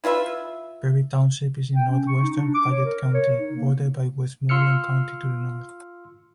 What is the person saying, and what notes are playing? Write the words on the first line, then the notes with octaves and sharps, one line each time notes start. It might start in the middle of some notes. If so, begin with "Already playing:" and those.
Perry Township is in northwestern Fayette County, bordered by Westmoreland County to the north.
E4 F4 B4 E5
G5
C#4
C#6
D#4
D4
D6
C#5
A#4
C#5
D#4
A#3
F4 C6 E6 F6 C#7